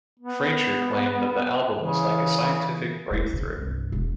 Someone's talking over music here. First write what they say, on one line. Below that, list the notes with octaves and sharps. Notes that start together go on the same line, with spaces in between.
Fraiture claimed that the album was "like a scientific breakthrough".
B3
C#3 E3
A3 E4
D3
C2 G2
E1